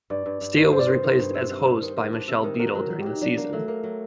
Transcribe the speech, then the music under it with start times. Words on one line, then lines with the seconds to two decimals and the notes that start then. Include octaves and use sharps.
Steele was replaced as host by Michelle Beadle during the season.
0.10 G2 D5
0.26 G2
0.41 G2
0.57 G2
0.72 G2 C5
0.79 D5
0.87 D#3 C5
1.03 D#3
1.19 G2
1.34 C3
1.50 C3
1.66 D4
1.82 D#3
1.96 D#3
2.13 D4
2.28 C3
2.44 D#3
2.59 F#4 A#4
2.75 F#3 A#4
2.90 F#3
3.00 G4
3.06 F#3
3.13 D#4
3.21 F#3 D4
3.37 A#3
3.53 F#3 A3
3.68 A#3
3.84 F#3